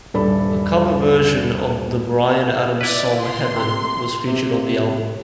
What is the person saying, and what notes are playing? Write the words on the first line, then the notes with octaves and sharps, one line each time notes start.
A cover version of the Bryan Adams song "Heaven" was featured on the album.
D#1 G2 A4 D5 B5
E4 B4 D5
C6
C3
C3